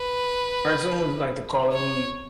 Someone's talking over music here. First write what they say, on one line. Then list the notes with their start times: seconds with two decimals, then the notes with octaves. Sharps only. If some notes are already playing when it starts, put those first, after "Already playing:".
cartoons is like the Call of Duty
Already playing: B4
1.73 C#5